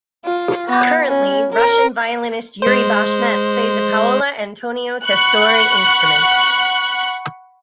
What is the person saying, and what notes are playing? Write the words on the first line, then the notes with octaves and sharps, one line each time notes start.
Currently, Russian violist Yuri Bashmet plays a Paolo Antonio Testore instrument.
F4
B3
C#4
A#4
G#3 C5
F#5 B5 C#6 F#6